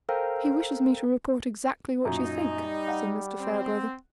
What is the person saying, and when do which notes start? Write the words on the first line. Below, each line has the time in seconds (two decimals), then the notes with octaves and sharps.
"He wishes me to report exactly what you think," said Mr. Farebrother.
0.09 A4 A#4 C5 F5 G5 A#5
2.05 F#2 A#2 D#4
2.54 G3
2.88 F#5
3.40 C4